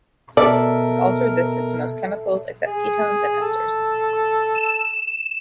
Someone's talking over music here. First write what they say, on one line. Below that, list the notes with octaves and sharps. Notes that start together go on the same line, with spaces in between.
It is also resistant to most chemicals, except ketones and esters.
B2 A4 A#4 D5 E5
G#4
A4
E7